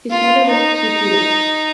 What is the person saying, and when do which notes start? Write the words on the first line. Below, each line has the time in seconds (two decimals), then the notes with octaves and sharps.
His mother was Sushila.
0.11 F4
0.46 D#4